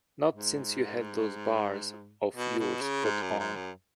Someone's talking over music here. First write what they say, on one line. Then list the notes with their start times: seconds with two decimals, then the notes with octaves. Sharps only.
Not since you had those bars of yours put on.
0.31 G#2
2.36 B2
2.59 B2
2.82 C#3
3.05 G#2
3.22 F#2
3.39 G#2
3.56 F#2